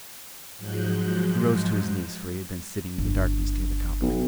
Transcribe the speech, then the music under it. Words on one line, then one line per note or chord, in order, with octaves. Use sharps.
He rose to his knees, for he had been sitting in the darkness near the copper.
G#2 F3 F#3 G#3 F#6 G6
G1
B1